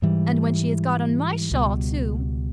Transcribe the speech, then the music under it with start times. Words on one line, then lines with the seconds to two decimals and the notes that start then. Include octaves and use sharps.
And when she has got on my shawl, too!
0.02 G#2 E3 G3
1.51 C#2 B2 G3